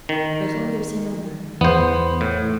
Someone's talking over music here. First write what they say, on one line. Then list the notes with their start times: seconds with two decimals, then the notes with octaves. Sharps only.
Grettel gives him a knife.
0.09 D#3
1.61 E2 B3 C5
2.21 A2